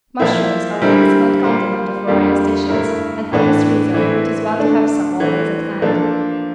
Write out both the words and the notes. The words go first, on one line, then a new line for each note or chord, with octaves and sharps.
Mushrooms are an excellent condiment of various dishes and for this reason it is well to have some always at hand.
F3 A#3 E4
D3 G3 C4 E4 A#4
G3 A#3 F4 C5
F2 D3 G3 A#3 F4
G2 D3 A3 E4 A#4
A2 E3 A3 D4
E3 A3 C4 E4
D3 A3 D4
E3 A3 C4
F3 A#3 D4 A4